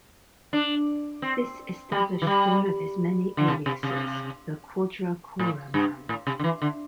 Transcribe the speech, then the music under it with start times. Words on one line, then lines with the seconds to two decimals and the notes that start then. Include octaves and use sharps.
This established one of his many aliases, the 'Quadra Kora Man.
0.53 D4
1.22 C4
1.92 G3
2.22 E3
2.27 G3
3.37 D3
3.48 C3
3.66 C3
3.83 C3
5.39 A2
5.74 G2
6.09 A2
6.27 C3
6.39 D3
6.44 E3
6.62 D3